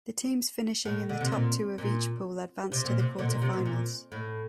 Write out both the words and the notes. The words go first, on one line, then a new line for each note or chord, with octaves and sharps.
The teams finishing in the top two of each pool advanced to the quarterfinals.
A2
D3
C3
A#2
A#2
C3
A#2
C3
A#2 D3
A#2
C3
A#2
A#2
A2